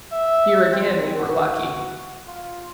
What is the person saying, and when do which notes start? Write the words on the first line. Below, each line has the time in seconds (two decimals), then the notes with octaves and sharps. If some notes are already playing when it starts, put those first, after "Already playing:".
Here, again, we were lucky.
0.12 E5
0.72 C4
1.19 F#4
2.27 F4